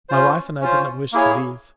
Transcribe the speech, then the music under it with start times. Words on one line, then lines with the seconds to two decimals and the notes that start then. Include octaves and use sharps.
My wife and I did not wish to leave.
0.09 C#4 F4 C5
0.61 C#4 F4 C5
1.12 A#3 E4 G#4 C#5